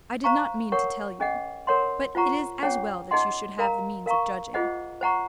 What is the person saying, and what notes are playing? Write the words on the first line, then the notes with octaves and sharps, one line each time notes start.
I did not mean to tell you; but it is as well that you should have the means of judging.
C5 F5 A#5 C#6
A#4 C#5 F#5 C#6
C#4 G#4 D#5 F#5
A#4 C#5 F#5 C6
F4 C5 F#5 A#5 C#6
C#4 G#4 C#5 F#5
D#4 G#4 D#5 F#5 C6
A#4 F5 A#5
A#4 F5 A#5 C#6
F4 G#4 C5 D#5 F#5
C5 F#5 A#5 C#6